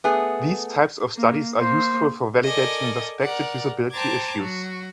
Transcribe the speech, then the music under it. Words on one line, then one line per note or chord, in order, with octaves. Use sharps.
These types of studies are useful for validating suspected usability issues.
A3 B3 G#4
A#3
A#3 C5
A4 A#4 D5 D#5 G#5
A#4 D5 F#5
C5 G5 A5 A#5 D6 G#6
F#3 F#4